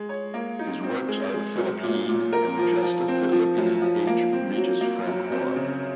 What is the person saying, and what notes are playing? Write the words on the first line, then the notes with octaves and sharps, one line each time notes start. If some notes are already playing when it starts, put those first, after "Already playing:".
His works are the "Philippide" and the "Gesta Philippi H. regis Francorum".
Already playing: G#3
C#5
A#3
D#4
C4
G#3
G#3
F#2
A#2
A#2
A#4
F3
F3
C4
F3
F#2
F3
A#3
C4
F#3
A#3
F#2
C4
C#3